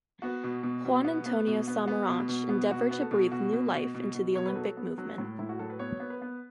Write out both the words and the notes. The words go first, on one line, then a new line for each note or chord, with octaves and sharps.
Juan Antonio Samaranch endeavoured to breathe new life into the Olympic Movement.
B3 F#4
B2
B2
B2
B3
B3
B2
B3
B3
B2
B2
B3
B2 F#4
B3
A4
B2
B2 F#4
B2
B2
B2
B2
B2 C#5
B4
F#3 A4
B3
F#3
A2
A2 E4
F#4
F#3 A4
B4
B3 C#5
B3
B4
B3